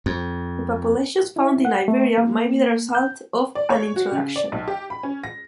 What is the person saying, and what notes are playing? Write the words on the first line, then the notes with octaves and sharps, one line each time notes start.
The populations found in Iberia might be the result of an introduction.
F2
E4
F#5
A3
A#3
G6
D5
C#5
F#4
C#3
D5
B1
G4
B5
C#4
A#6